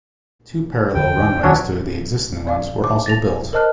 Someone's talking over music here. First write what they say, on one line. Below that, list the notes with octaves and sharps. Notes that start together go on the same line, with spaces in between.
Two parallel runways to the existing ones were also built.
E2 D3 A#3 G5
D2 D#3 F#3 C#4 D4 C#5
D5 F5
D6
A6 A#6 F7
A#4 C5 D#5 A5 F6 F#6